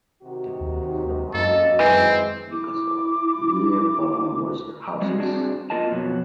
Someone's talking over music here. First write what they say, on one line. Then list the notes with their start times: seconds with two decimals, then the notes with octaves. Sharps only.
The village is about north-west of Newcastle, near Bolam West Houses.
0.22 C3 D#3 F#4
0.60 D#2
1.34 F#2 A#3 A4 D#5
1.79 D#3 E3 G#3 C4
2.52 E4 D6
5.02 G3 G#3 B3 C4 F#4
5.18 G3 C4 D4 F#4 G#4
5.70 A#3 F4 A#4 D#5 A5
5.91 F2 B2 F#3